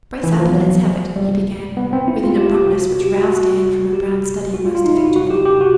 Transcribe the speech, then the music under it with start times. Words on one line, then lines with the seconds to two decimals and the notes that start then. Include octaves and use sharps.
Brace up, and let's have it,' he began, with an abruptness which roused Dan from a brown study most effectually.
0.23 E3
0.40 F3
0.54 F#3
1.16 G3
1.77 B3
1.93 C4
2.08 E4
2.24 F4
2.39 G4
2.55 G4
2.70 F#4
3.01 G4
3.16 F#4
3.32 F#4
3.93 G4
4.54 F#4
4.65 F4
4.75 F4
4.85 D#4
4.95 E4
5.05 F#4
5.16 F#4
5.30 G4
5.46 G4
5.61 F#4